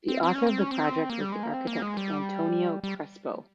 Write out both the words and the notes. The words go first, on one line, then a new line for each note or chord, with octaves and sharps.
The author of the project was the architect Antonio Crespo.
C4
C4
C#4
C4
C#4
C4
A#3
G3
G#3
A#3
C4
A#3
G#3
G3
G3